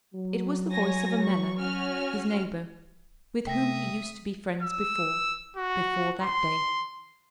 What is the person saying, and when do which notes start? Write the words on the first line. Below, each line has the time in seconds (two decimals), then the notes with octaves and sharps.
It was the voice of Ammella, his neighbor, with whom he used to be friends before--before that day.
0.14 F#3
0.72 C#5 G#5 A#6
1.25 C#6
1.60 C#4 F#4 F6
3.47 C3 A3 E5 G5 D#6 A#6
4.63 E6
5.57 F#4
6.22 C6